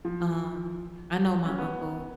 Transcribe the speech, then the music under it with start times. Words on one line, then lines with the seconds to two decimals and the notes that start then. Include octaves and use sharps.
um, I know my uncle
0.05 F3
1.45 C#4
1.58 B3